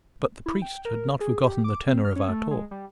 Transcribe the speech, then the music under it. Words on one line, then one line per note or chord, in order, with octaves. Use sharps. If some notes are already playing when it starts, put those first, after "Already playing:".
But the priest had not forgotten the tenor of our talk.
E4
G5
A#4
G#4
G4
D6
C4
F6
C#4
A3
G#3
G3